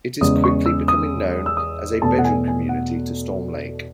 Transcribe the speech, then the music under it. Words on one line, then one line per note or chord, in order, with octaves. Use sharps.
It is quickly becoming known as a "bedroom community" to Storm Lake.
E2 C#3 G#3 D#6
C#6
E6
D#6
E6
D#6
E2 B2 A3 A5
F#5
G#5
G#5
F#5